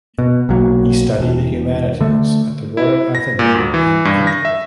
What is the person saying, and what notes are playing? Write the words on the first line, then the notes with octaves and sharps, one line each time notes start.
He studied the humanities at the Royal Atheneum in Antwerp.
B2
B1 F#3 A#3
E1
D3 A3
E4
A#6
A#2
D2
E3
G2
A#6
E5